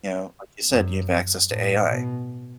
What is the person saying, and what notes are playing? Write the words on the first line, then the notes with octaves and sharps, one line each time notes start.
you know, like you said, you have access to AI.
F#2
A2
B2